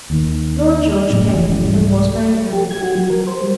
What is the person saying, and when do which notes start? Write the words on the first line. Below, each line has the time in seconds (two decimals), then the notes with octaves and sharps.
Lord George came and was very angry.
0.10 D#2 D#3
1.10 F#1 F#2 A2 C#3
1.34 F1 E3 G#3 C#4
1.64 C2 G#2 G3
2.53 G4
2.71 G#6
2.83 F#4
2.95 F#3
3.10 A#4
3.27 C5
3.41 G3